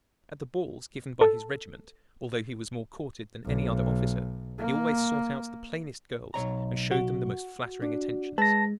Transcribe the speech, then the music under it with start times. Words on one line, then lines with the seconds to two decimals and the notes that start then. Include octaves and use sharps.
At the balls given by his regiment, although he was more courted than any other officer, he always sought out the plainest girls and showed them the most flattering attentions.
1.21 A4
3.45 B1
4.58 A#3
6.34 B1 C#5 A#5
6.91 F#4
7.82 D4
8.38 G#3 B4 A5 A#6